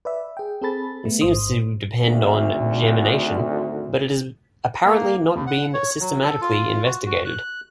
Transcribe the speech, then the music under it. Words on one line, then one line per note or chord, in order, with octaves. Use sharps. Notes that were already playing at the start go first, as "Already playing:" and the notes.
It seems to depend on gemination, but it has apparently not been systematically investigated.
B4 D5 E5
G#4 G5
C4 G#4 A4 B5 A6
A3 B3
A1 G#2 C5 C6 D#6
G#1 D2
A#3
D#2
F#5
C#5
F#3
A4
F4
F#4
F#4
F#6